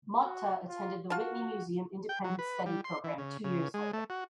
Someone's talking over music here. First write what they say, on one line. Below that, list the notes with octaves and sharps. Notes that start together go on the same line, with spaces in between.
Motta attended the Whitney Museum Independent Study Program two years later.
F#4
F4
F4 F#4 A5
G5
F#3
B4
G3
C6
E3
C#3
C#3
G#3
A3
F#4